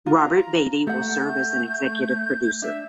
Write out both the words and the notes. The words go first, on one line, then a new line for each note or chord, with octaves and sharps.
Robert Beatty will serve as an executive producer.
F4 A#5
A3 A4 F#5 G6
D4 E5